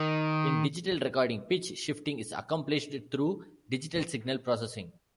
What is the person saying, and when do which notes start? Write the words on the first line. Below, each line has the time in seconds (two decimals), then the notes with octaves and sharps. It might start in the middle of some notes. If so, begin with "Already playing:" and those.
In digital recording, pitch shifting is accomplished through digital signal processing.
Already playing: D#3